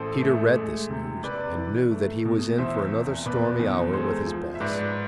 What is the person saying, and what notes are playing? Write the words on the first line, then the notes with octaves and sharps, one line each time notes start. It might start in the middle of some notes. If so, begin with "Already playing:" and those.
Peter read this news, and knew that he was in for another stormy hour with his boss.
Already playing: A1 A4 C5
A3
G#3
C3
C3 B4 D5
E3
A3
B2
E2 C5 E5
F1
B2 B4 D5
E2
G#3 A4 C5
F3
E5
G#2 B4 D5